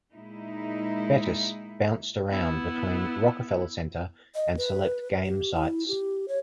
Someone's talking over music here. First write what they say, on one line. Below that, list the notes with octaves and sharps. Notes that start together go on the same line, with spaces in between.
Bettis bounced around between Rockefeller Center and select game sites.
A#2 G#3 D#4 E4
B3 E4
D#5
B4
G4
E4
G4
C#5